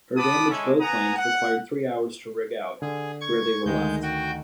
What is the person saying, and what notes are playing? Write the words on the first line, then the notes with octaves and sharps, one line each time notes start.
Her damaged bow planes required three hours to rig out, where they were left.
F#5 A5 B5 D6 D#6
G#3 C#4 E4 A4
B3 F#5 G#5 A#5 D#6
F#5
D3 G#4
C#6 G#6
D2 D#3 G#3 G6
F#4 G5